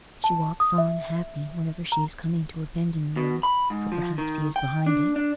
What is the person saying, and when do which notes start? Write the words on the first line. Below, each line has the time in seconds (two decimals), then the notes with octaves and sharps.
She walks on, happy whenever she is coming to a bend in the road, for perhaps he is behind it.
0.24 A5
0.60 D#6
0.78 E5
1.92 A#5
3.17 B2
3.43 B5
3.70 G#2
3.92 F3
4.18 D#3
4.56 G5
4.86 D4
5.16 D4